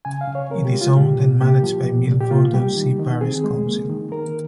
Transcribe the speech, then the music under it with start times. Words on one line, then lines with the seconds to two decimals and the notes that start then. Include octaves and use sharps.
It is owned and managed by Milford On Sea Parish Council.
0.05 C#3 G#5
0.21 F5
0.27 C#3
0.35 C#5
0.50 C4 A#4
0.65 G4
0.73 G#3
0.81 F4
0.96 A#2 G4
1.18 A#2
1.41 A#3 G4
1.63 F3
1.86 A#2
2.08 A#2
2.20 G4
2.31 A#3 F4
2.54 G3 G4
2.76 D#3
2.99 D#3
3.21 C4 G#4
3.44 G#3
3.67 A#3
3.89 D#3
4.12 D#3 A#4